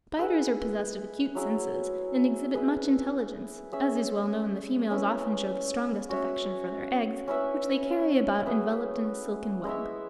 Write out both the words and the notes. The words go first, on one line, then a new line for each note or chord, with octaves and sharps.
Spiders are possessed of acute senses, and exhibit much intelligence; as is well known, the females often shew the strongest affection for their eggs, which they carry about enveloped in a silken web.
E4 G#4 B4
F#3 E4 G#4
E4 G#4 B4
C#4 G#4 E5
C#4 E4 B4
C#4 F#4 C#5 E5
C#4 E4 B4 E5
B3 G#4 E5
G#3 E4 C#5 E5